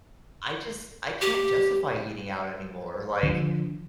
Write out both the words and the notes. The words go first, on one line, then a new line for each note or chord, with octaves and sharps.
I just I can't justify eating out anymore like
G4
D3 F3